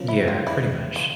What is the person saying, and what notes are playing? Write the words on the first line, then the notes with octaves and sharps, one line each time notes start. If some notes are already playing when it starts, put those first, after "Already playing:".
Yeah, pretty much.
Already playing: F#2 C#3 F3
E4
F4
C#3 E3 G#3 E4
F4